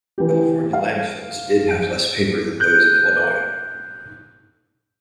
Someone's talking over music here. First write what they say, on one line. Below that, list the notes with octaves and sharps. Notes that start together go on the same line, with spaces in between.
The California landfills did have less paper than those in Illinois.
E3 G4
F5
F#6 G6